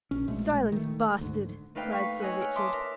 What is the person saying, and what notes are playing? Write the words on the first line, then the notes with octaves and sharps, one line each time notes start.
"Silence, bastard!" cried Sir Richard.
A#1 C#4
A#1 B2 G#3 A3
D#3 A3
D2 G#2
A3 A#3 D#4 B4 F5 G5
F5 C#6 B6
C#5 D#5 G#5 E6 F#6
F6
E5 A5 C6 D6 D#6
A#4 E5